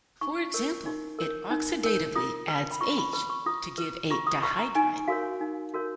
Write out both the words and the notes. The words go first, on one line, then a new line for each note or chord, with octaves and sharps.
For example, it oxidatively adds H to give a dihydride.
D#4 C#6
A#4 C#5
D#4
A#4 C#5
D#4
A#4 C#5
F4 D#6
B4
B5
F4 C#6
B5
B4 B5
C#6
F4 D#6
B4
F4 C#6
D#6
B4 C#6
A#5
D#4 G#5
F#4 A#4 C#5 F5
D#4
F#4 A#4 C#5